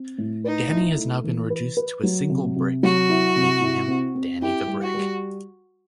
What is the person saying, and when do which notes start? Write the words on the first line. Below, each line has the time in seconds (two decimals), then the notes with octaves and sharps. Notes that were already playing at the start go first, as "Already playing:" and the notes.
Danny has now been reduced to a single brick, making him Danny the Brick.
Already playing: C4
0.18 A2
0.44 D#4 B4
0.71 E4
0.98 A3
1.24 E3
1.50 B4
1.77 B4
2.03 F#3
2.30 C3
2.56 C3
2.83 F#3 F#4
3.10 E4
3.36 C3
3.62 E4
3.88 C4
4.15 C4
4.42 E4 G4
4.68 G3
4.82 F#4
4.94 G3